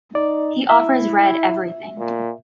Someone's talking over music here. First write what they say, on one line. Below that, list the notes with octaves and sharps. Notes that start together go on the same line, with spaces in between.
He offers Red everything.
D#4 D5
E4 E5
A#2